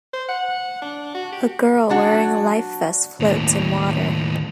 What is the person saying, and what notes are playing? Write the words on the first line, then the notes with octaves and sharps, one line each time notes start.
A girl wearing a life vest floats in water.
C5
F#5
D4
F#4
G4
F#3 D4 F#4
D#2 A2